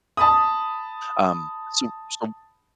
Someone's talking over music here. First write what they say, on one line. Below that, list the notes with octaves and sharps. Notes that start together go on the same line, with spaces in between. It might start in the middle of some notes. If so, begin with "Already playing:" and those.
Um, so so
A5 B5 D#6